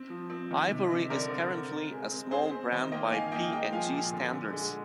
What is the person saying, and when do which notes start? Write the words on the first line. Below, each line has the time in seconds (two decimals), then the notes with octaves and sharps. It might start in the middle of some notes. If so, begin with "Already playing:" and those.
Ivory is currently a small brand by P and G standards.
Already playing: C4
0.10 F3
0.30 C4
0.51 D#3
0.70 C3
0.90 C4
1.10 D3 A#4 D5
1.30 C4
1.51 C4
1.71 C4
1.91 G#3
2.11 C4
2.31 C4 G#4 C5
2.51 C4
2.72 D#3 C5 D#5
2.92 A#3 D#5 G5
3.12 D#3 F5 G#5
3.32 A#3 D#5 G5
3.52 G#3 D#5 G5
3.63 G5
3.72 F3 F5 G#5
3.93 A#2
4.13 D3
4.33 D3
4.53 G#3